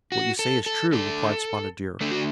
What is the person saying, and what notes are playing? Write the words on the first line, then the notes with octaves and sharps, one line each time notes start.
"What you say is true," replied Spotted Deer.
F#4
A4
A4
D3 A3 A4
D3 A3 A4
F#4